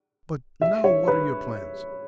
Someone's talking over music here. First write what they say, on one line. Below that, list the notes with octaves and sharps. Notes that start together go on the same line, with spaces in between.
But now what are your plans?
E5
C#5
B4